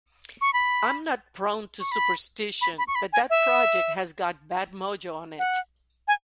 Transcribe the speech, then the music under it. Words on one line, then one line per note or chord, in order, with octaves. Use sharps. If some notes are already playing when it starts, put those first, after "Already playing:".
I'm not prone to superstition, but that project has got bad mojo on it.
C#6
B5
C#6
B5
B5
B5
C#6
B5
G#5
E5
F#5
G#5